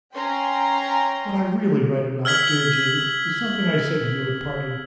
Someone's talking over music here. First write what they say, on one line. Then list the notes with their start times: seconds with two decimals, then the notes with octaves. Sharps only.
What I really write about, dear Jude, is something I said to you at parting.
0.14 C#4 G5 A#5 C6
2.25 E6 F6 G#6 B6 F#7